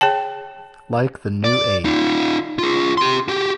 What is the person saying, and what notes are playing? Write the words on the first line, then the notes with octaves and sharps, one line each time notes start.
Like the New Age.
G#4 C#5 G5 A5
D5
D#4 F4
F4 G#4
G4 C6
F#4 G4